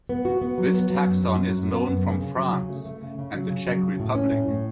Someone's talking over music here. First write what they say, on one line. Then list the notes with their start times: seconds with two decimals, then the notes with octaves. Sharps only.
This taxon is known from France and the Czech Republic.
0.09 B3
0.25 F#4
0.42 B3
0.58 F#3
0.74 B3
0.90 F#3
1.06 F#2
1.23 F#2
1.39 F#3
1.56 F#2
1.72 B3
1.88 F#2
2.04 C#3
2.21 C#3
2.36 F#3
2.53 C#3
2.69 A3
2.85 A3
3.02 C#3
3.18 C#3
3.34 F#3
3.50 C#3
3.66 F#3
3.83 C#3
3.99 A2
4.15 C#4
4.32 A2
4.48 A2